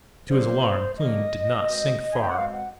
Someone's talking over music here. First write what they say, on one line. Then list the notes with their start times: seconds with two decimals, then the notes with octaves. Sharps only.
To his alarm, Kloon did not sink far.
0.30 D3 F#3 A#3 C5
0.99 D3 F#3 A#3 D#5
1.68 B2 G#3 C4
2.12 G#5
2.21 G5
2.29 F#5
2.37 B2 G#3 C4 F5
2.50 F5
2.54 F#5